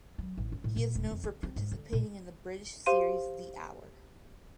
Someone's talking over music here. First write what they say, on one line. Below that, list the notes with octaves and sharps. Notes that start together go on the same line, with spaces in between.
He is known for participating in the British series "The Hour".
F#3
A1
C#4
A2
A#2
E1
F2
C4
C4
G#2
D3
A#2
G4 C5 F5 C6 D#7